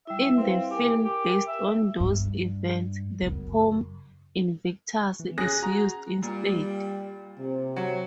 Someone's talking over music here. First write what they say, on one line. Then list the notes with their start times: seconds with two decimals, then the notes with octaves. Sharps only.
In the film based on those events, the poem "Invictus" is used instead.
0.07 G3 E4 E5
0.37 C4 E4 B4 F5
0.71 G4 A#4 G#5
1.04 G4
1.47 E5
2.00 G2
3.22 F#2 C#3
5.20 E3
5.38 C#4 G#4 D#6 F#6 A#6
5.62 F#4 A#5
6.22 A#2 G3
7.39 C3
7.76 F#3